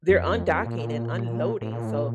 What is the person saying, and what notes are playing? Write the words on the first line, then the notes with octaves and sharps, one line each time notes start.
they're undocking and unloading, so
F2
F2
A#2
A2
A#2
A2
A#2